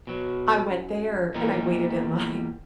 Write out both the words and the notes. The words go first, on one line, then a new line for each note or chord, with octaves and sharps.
I went there and I waited in line.
B2 F#3
F#2
E2 A#2 G3 D#4